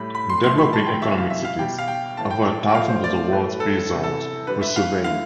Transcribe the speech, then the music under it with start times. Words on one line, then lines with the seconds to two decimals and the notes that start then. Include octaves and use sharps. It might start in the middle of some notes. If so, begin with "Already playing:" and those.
In developing economic cities, over a thousand of the world's free zones were surveyed.
Already playing: A2 G3 B5
0.15 B5
0.30 C6
0.44 A2 F3 A3 C6
0.58 B5
0.73 A5
0.86 G5
1.02 C3 E3 G3 E5
1.18 F5
1.30 E5
1.45 F5
1.59 B2 G3 G5
1.78 F5
1.88 G5
2.17 A2 E3 A3 A5
2.31 G5
2.68 G5
2.75 A2 F3 A3 F5
2.89 C5
3.04 D5
3.32 A2 E3 A3 B4
3.60 A4
3.90 C3 E3 G3
4.03 A4
4.47 D3 G3 B4
4.61 E5
4.76 F5
5.04 D3 A3 F5